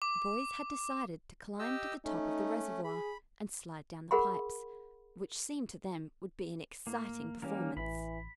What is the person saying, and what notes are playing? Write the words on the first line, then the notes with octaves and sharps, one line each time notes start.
The boys had decided to climb to the top of the reservoir and slide down the pipes, which seemed to them would be an exciting performance.
D6
G4 D#5 E6
A3 C#4 D#4
G#4 B5
G#4 A#4 F#5 B5 C6
A2 A#3
E3 G3 A#3 C#4 A#4
A1 E3 B5